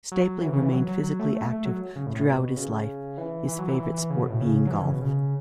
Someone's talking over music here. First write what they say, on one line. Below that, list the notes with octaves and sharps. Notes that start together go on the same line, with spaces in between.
Stapley remained physically active throughout his life, his favorite sport being golf.
F#3
E3
C#3
E3
F#3
F#3
F#3
A3
A3
A3
F#3
C#3
A2
A2
B2
C#3
E3
E3
F#3
E3
E3
E3
C#3
B2
A2
C#3
F#3
E3
C#3
B2
C#3